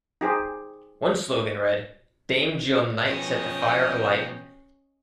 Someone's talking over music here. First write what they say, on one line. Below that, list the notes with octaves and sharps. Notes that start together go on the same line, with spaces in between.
One slogan read: Dame Jill Knight Set The Fire Alight!
D#4 G4 G#4 C5
B2 F3 C#4 D#5 G5